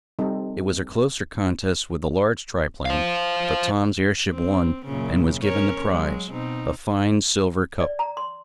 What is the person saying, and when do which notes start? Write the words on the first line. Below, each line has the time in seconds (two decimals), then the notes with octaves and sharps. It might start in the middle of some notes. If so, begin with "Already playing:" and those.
It was a closer contest with the large triplane, but Tom's airship won, and was given the prize, a fine silver cup.
0.19 G3 C4 D#4 A4
2.85 C5 F5
4.31 C4
4.85 F#2 A#2 C#3
5.42 C#4 A#4 C#5
5.89 F#3 G#3
6.31 B2 C4 D#4
7.81 D5
7.99 A#5
8.17 C6